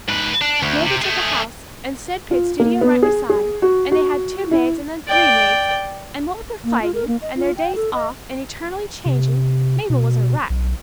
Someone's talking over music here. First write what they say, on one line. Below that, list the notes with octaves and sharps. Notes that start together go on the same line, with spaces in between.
Mabel took a house, and Sid paid studio rent beside, and they had two maids, and then three maids,--and what with their fighting, and their days off, and eternally changing, Mabel was a wreck.
G#2 B4
D4
D2
C3
A3 G#4
F4
A#3
B3
G#4
G#4
F#4
F#4
E4
D5 G5
A#3
F4
A#4
A#3
D#5
F4
G5
A4
D#5
C3
B2
B1